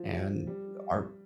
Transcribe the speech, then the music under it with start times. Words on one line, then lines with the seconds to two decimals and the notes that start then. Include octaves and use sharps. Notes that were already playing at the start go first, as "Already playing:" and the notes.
and our
Already playing: F3
0.47 G3